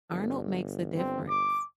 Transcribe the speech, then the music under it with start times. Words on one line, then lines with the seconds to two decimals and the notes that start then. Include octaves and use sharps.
Arnold makes a difference.
0.11 G1
0.98 C4
1.29 D6